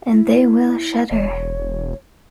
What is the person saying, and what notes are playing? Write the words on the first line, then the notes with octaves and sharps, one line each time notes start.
And they will shudder.
E4
E1 C#5